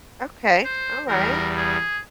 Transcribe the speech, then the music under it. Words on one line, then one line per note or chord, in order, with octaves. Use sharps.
Okay, alright,
C5
E2 G3 A#4
G#4